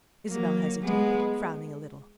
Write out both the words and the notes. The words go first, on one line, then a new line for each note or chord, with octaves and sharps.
Isabel hesitated, frowning a little.
F#3 A#3
G#3 B3